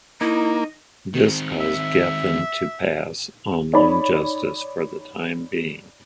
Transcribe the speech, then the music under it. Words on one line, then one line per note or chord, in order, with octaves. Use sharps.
This caused Geffen to pass on Lone Justice for the time being.
A#3 D#4 E4
D#3 C4
E5
D#4 C#5 D5 B5